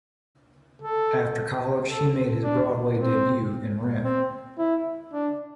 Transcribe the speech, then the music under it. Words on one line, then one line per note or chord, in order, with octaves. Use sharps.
After college, he made his Broadway debut in Rent.
A4
A4
D4
C4
C4
E4
D4